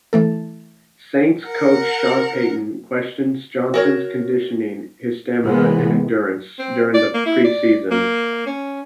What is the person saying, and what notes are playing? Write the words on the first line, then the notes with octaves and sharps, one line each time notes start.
Saints coach, Sean Payton, questioned Johnson's "conditioning, his stamina and endurance" during the preseason.
E3 A3 A4
A#4 F#5
F#4 A#4 C#5
C3 E3 G#3 A#3 B3
C4
D5
A#3
E4
D5
A#3
C#4